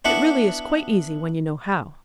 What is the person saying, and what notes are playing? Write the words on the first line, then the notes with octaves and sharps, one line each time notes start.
It really is quite easy when you know how.
B3 D4 E4 E5 F#5